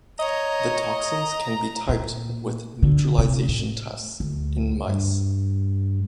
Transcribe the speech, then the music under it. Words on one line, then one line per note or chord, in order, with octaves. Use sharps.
The toxins can be typed with neutralization tests in mice.
C#5 D#5 A#5
A#5
A#2
D3
C3
A2
D2
G2